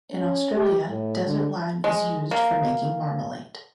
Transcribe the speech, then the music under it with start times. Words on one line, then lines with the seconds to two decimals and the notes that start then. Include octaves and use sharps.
In Australia, desert lime is used for making marmalade.
0.12 C#4
0.54 G4
0.89 A2
1.25 D3
1.84 G#3
2.31 A#3